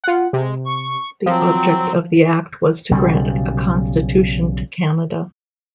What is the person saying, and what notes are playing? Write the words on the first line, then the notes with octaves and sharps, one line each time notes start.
The object of the Act was to grant a Constitution to Canada.
F4 F#5
C3 G#3
C#6
F3 F#3 C4
B1 C#3 F#3 G3